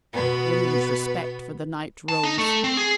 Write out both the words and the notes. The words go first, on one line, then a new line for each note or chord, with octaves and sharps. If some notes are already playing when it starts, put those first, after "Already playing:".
William's respect for the knight rose.
B2 B3 B4
A5
D#4
A3
C4
G#4